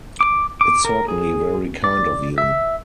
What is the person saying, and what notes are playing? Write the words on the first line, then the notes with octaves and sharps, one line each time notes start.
It's certainly very kind of you.
D6
D6
A#4
G#4
D5
E5